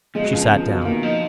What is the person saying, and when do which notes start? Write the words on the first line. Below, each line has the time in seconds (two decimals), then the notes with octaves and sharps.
She sat down.
0.15 F3 G#3
0.24 F#3
0.32 C#2 F3
0.50 C#2
0.68 B2
0.81 F3
0.85 D#3 A#3
1.03 F3 D#4